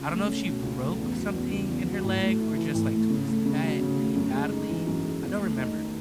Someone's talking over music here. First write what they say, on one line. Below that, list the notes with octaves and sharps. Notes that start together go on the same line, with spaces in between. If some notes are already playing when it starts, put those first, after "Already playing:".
I don't know if she broke something in her leg or, just, like, twisted it really badly, I don't remember,
Already playing: C#2
A3
C#4
B2
C#2
A3
E2
F#3
E2
C#3
E2
F#3
A2
A3
E4
E3
A2
A3
C#3
A3
C#3
F#3
C#3
A3
F#2
G#3
D#4
E3
F#2
G#3
E2
A3
D#4
D#3